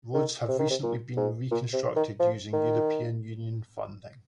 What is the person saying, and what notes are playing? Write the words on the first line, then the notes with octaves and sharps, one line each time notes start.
Roads have recently been reconstructed using European Union funding.
D#3
C3
D#3
C3
A#2
G#2
A#2
C3
D#3
F3
D#3